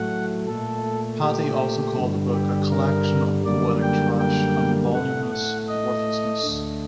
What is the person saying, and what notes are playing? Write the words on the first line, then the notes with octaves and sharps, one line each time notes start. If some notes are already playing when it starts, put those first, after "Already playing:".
Pattee also called the book a "collection of poetic trash" and "voluminous worthlessness".
Already playing: A2 F#3 A3 F#5
A#2 A3 A4
G4
G2 D3 G3
G4
A#4
F#2 D3 G3 A#3 D5
G5
G5
A2 A3 F#5
F#5
D#5
D2 D3 A3